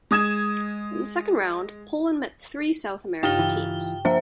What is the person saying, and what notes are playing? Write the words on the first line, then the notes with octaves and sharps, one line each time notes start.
In the second round, Poland met three South American teams.
G#3 D#6 G#6 E7
G2 C#3 D#4 F4 G5 A#6 G7
E3
F3 A#3 D4 C5 E5 A#5